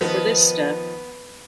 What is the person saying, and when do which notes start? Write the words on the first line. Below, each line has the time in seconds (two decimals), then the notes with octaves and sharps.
For this step.
0.01 D#3 F3 B3 D#4